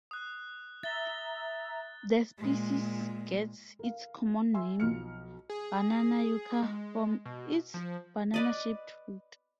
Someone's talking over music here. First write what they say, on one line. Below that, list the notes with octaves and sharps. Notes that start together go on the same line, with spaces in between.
The species gets its common name "banana yucca" from its banana-shaped fruit.
D#6 F#6
E5 A#5 A6 G7
A#2 G#3
A#4 F5
E5 G#5 C6 E6
B1 F3 F6 C#7
G#4
G#3
B2
F3
B4 D5 D#5